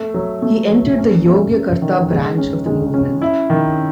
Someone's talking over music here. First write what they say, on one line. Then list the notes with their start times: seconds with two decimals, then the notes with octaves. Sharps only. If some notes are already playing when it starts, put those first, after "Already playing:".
He entered the Yogyakarta branch of the movement.
Already playing: A3
0.14 F#3
0.42 A3
0.70 F#3
0.98 C#4
1.26 A3
1.54 C#4
1.82 D#3
2.10 G#3
2.38 C#4
2.66 G#3
2.94 C#4
3.22 E4
3.50 D#3